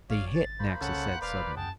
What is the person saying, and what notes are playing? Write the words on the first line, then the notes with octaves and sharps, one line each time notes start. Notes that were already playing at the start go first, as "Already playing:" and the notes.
"They hit!" Naxa said suddenly.
G#1 C#5 D5 F5
A6
A#3 C5 B5
C2 C#3 A4 F#5
E1 B4 D5 F5
F#2 G#4 F#5 G5 A5